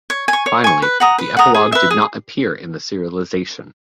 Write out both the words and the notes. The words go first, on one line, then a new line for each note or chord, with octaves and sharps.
Finally, the epilogue did not appear in the serialisation.
C#5
G#5
C#6
C#5
G#5 C#6
B4
F#5 A#5 D#6
B4
F#5 A#5 D#6
G#4
B4 E5
G#4